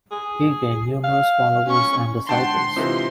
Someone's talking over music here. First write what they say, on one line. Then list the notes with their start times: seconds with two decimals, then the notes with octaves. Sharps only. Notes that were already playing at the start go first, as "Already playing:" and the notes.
He gained numerous followers and disciples.
0.12 G#4
1.04 F5
1.67 C#4 C#6
2.29 G#2 D3 F#5 G5 A5 C6
2.76 C3 E3 D#4 F4 C5